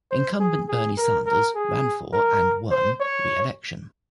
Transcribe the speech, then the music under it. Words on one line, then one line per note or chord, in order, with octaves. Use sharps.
Incumbent Bernie Sanders ran for and won re-election.
C5
G#4
G#4
A#4
A#4
G#4
A#4
C5
C#5